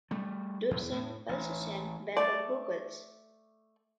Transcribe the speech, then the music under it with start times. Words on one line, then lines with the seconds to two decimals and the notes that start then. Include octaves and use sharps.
Dobson also sang backup vocals.
0.11 G3 A3
0.71 E2
0.92 A2
1.29 A1
2.17 A3 D5